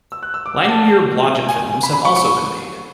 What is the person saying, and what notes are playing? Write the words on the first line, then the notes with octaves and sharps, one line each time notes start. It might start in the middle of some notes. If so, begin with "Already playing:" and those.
Langmuir-Blodgett films have also been made.
E6
F#6
E6
D6
A5
G#5
B5
B5
C#6
C#6